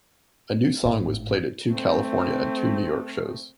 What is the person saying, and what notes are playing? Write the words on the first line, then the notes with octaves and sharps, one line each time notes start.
A new song was played at two California and two New York shows.
G#1 A2
A3 C4